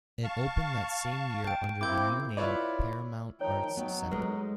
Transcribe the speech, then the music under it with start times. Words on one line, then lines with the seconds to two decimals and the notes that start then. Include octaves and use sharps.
It opened that same year under the new name "Paramount Arts Center".
0.24 F5 A5 C#6
1.47 G5
1.81 A#3 C4 E4 D6 G6
2.37 E4 F4 B4 C#5 D5
3.41 D#3 F3 D#4 C#5 G5
3.77 F#3 B3 D#4
4.11 G#3 A4 B4